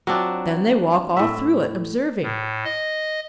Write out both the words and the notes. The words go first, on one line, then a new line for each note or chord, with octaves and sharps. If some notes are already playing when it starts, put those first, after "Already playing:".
"Then they walk all through it, observing."
F#3 C4 D4 F4
A2 E5
A2
D#5